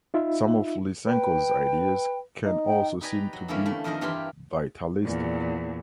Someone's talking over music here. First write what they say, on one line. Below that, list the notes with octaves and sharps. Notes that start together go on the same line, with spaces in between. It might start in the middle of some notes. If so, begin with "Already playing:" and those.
Some of Lysenko's ideas can also seem to be vitalistic.
D#4 F4 E5
B4 G5
D#4
G5
D#4 G4 B4 D5 G#5 A#5
F#3
D3 E3 G3 A#3 C#4 E4
A3
F2 D#3 F3 A#4 D#5
G2 E3 G4 D5 F5 C6
E2 A#2